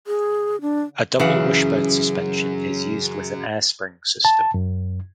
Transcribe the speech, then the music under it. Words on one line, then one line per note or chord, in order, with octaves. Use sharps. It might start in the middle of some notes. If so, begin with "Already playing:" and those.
A double wishbone suspension is used with an air spring system.
G#4
D4
C#3 E3 F#3 C#4 F#5
A5
F#2